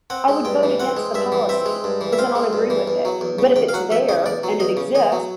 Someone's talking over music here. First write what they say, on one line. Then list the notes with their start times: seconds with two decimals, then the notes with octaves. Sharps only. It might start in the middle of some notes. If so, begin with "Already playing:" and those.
I would vote against the policy because I don't agree with it. But if it's there and it exists
0.10 C4 F#5
0.28 G#3
0.45 G2 G5
0.63 E3
0.80 C4 F#5
0.97 G#3
1.15 G2 E5
1.32 E3
1.49 C4 E5
1.66 G#3
1.84 G2
2.01 E3
2.13 E5
2.18 C4 F5
2.35 G#3
2.53 G2
2.70 E3
2.88 E2
3.05 F#3
3.21 E2
3.39 C#3
3.56 E2 G5
3.69 F5
3.74 F#3 F#5
3.90 E2 E5
4.09 C#3 D#5
4.26 E2 D5
4.43 F#3
4.60 E2 D#5
4.77 C#3
4.95 E2 D#5
5.12 F#3